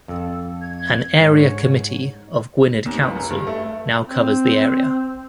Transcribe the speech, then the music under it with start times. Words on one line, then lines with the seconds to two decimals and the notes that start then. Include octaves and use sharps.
An area committee of Gwynedd Council now covers the area.
0.08 F2 A4
0.61 G#6
1.20 G#2 C#5
2.86 D#2
3.03 C#2
3.16 F#2
3.30 G2
3.47 A3
4.04 C4